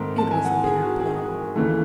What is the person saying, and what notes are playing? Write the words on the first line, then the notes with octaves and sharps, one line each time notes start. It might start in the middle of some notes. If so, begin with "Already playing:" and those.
It was a bitter blow.
Already playing: G#2 D#3 A3 C4
A5
G#5
F#5
G#4
F#4
G#4
D#2 C#3 E3 A3